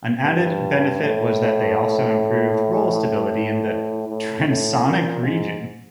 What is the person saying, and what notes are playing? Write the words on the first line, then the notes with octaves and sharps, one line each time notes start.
An added benefit was that they also improved roll stability in the transonic region.
G2
A2
A2
A2
A#2
G#2